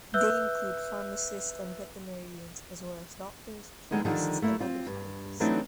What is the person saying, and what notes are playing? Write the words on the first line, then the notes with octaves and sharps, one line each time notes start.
They include pharmacists and veterinarians, as well as doctors, chemists and other scientists.
B4 E5 E6 F#6 G6 G7
D3 D#3 G#3 B3 D#4
D3 D#3 F3 G3
A3 A#3 E4
C4 F4
G2
E3 F#3 A3 C4 D4 D#4